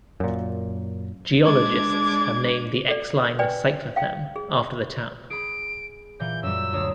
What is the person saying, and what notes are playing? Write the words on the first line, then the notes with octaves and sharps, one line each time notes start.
Geologists have named the Exline cyclothem after the town.
F#2 A#2
G#3 D4 D6 G#6
A4 D5
B4 D5 G5 G#5
F5 G5
G#4
G#4 B5 D7
A#2 E3 G6
F#2 G3 E6
D2 C#5 D#6